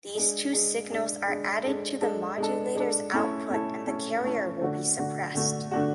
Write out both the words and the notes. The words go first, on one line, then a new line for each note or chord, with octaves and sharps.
These two signals are added to the modulator’s output and the carrier will be suppressed.
G#3 D4 G#4
G#3 D4 G#4
G#3 D4 G#4
G#3 D4 G#4
G#3 D4 A4
G#3 D4 A4
G#3 D4 A4
G#3 D4 A4
A3 C#4 E4 A4
A3 C#4 E4 A4
A3 C#4 E4 A4
A3 C#4 E4 A4
D3 A3 D4 F#4
D3 A3 D4 F#4
D3 A3 D4 F#4
D3 A3 D4 F#4